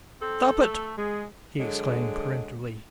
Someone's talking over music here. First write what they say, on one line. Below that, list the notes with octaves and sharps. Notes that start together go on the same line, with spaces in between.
"Stop it!" he exclaimed peremptorily.
C4 A4
A3
G#3 G#4
D3 F#3 G#3